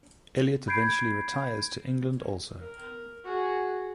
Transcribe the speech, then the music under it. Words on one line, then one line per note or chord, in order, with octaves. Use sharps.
Elliot eventually retires to England also.
B5 G6 G#6 C7 D7
A#4
F#4 G#4